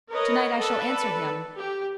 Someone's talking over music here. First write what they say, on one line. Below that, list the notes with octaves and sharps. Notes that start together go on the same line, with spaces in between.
To-night I shall answer him.
A#4 B4 C#5 D#5
A4 B4 D5
G4